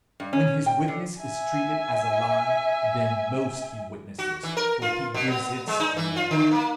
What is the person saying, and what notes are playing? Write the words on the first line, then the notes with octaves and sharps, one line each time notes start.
When his witness is treated as a lie, then most he witnesses, for he gives it still.
G2
C#4
G5
D3
E5 G#5
F#4
E3
A#4
F4
B2
B3
G#3
D#4
E3
F4
D3
A#3